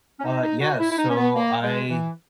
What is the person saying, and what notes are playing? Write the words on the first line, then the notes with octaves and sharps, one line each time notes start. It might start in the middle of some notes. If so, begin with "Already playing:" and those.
Uh, yeah, so I
C#4
D#4
D#4
F#4
E4
E4
D#4
C#4
B3
A#3
G#3
E3